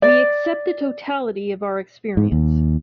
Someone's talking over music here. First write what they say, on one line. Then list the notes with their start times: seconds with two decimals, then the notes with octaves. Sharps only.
We accept the totality of our experience.
0.02 D5
2.17 G#2
2.32 D#2